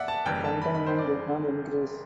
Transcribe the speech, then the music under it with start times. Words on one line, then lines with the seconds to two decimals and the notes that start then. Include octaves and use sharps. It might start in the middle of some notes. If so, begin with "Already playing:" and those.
Containment did not increase.
Already playing: E2 D5 E5 F#5
0.08 A5
0.26 F#1 F#2 E3 G3 G5
0.44 A5
0.62 B5
0.75 B5
0.86 C5
0.99 D5